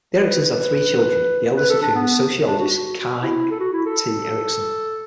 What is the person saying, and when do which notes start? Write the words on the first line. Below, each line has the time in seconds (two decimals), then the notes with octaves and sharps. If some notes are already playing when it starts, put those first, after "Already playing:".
The Eriksons had three children, the eldest of whom is sociologist Kai T. Erikson.
0.17 B4
1.56 B4
1.69 A4
1.82 D4
1.95 B3
2.45 D4
2.58 F#4
2.71 F#4
2.97 F#4
3.22 E4
3.51 A4
3.60 F#4
3.73 E4
3.86 A4